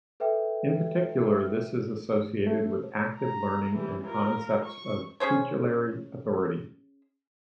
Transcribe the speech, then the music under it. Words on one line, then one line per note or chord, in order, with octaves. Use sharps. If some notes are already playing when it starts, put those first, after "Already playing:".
In particular this is associated with active learning and concepts of tutelary authority.
A4 B4 E5 G5
G#2
A3
A#5
E3 G3
F4 A#4
C#6
C#4 G#4 C5 C#5